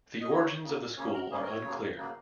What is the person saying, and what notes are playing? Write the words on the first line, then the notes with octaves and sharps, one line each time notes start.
The origins of the school are unclear.
D#5
C#3 F#3 A#3 C#5
C#3 F#3 A#3
C#3 A#3 C#4 C#5
A#4
C#3 A#3 C#4 G#4
A#4
C#5
C#3 F#3 A#3
C#3 F#3 A#3